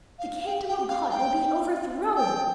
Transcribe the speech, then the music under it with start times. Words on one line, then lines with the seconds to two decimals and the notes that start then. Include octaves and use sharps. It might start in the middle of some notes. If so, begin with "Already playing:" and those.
The kingdom of God will be overthrown...
0.19 F5
0.40 F5
0.46 G5
0.68 G5
0.89 F5
1.10 G5
2.16 G5